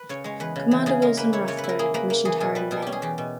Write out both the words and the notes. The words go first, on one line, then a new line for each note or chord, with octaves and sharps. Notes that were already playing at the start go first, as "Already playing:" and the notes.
Commander Wilson Rathbone commissioned her in May.
Already playing: B4
C#3 C#5
G#3 C#5
E2 B4
C#3
E3
C#3 G#4
G#3 A#4
A#3 B4
E4 C#5
C#3 C#5
B4
E4
A#4
A#3 G#4
A#3 B4
A#3
E3 G#4
B2 G#4
G3 B4
B2 G#4
C#4 G4
G#4
E2 G4
B2